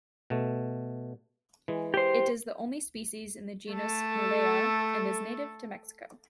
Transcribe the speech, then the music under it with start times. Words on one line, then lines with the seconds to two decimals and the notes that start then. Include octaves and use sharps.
It is the only species in the genus Malea, and is native to Mexico.
0.30 B2 A3
1.68 E3 G#3
1.94 G4 C5
3.72 A3 A4